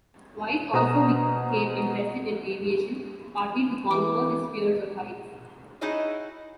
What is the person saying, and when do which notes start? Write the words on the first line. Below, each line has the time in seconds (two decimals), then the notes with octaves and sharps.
White also became interested in aviation, partly to conquer his fear of heights.
0.74 B2 C5 F#5 A#5 D#6 E7
3.91 E3 D6
5.81 D#4 E4 F#4 G#4 C#5 D#5